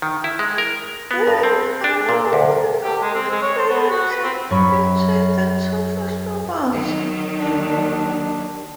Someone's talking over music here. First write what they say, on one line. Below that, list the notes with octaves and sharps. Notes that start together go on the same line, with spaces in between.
There is another point of affinity between the two festivals.
D#3
E4
G#3
A#4
B3
G2
C4
D4
A#2
D2
G4
G#3
C4
G#3
C#5
C5
B3
F#4
B4
C4
F#2 C#5 B5
D#3 F#3
D#2 D4